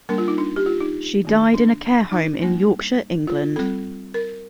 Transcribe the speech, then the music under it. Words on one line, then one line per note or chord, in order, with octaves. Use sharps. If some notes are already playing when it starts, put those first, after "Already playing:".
She died in a care home in Yorkshire, England.
G3 A#3 D4 A#4
F4
D#4
D4
G4
F4
D#4
D#3 A#3 D4
D4
D#4
G3 A#3 D4
F4
G3 C4 A4
A#4